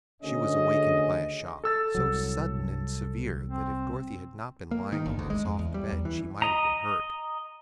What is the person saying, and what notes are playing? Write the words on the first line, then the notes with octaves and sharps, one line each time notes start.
She was awakened by a shock, so sudden and severe that if Dorothy had not been lying on the soft bed she might have been hurt.
D2 C#3 C#4 G#4 D#5
A4 E6 A6
C2 F#3
C4
A#3
D#3
G1
D2
G#3
F2
E2
G3
E2
E3
D#5 A#5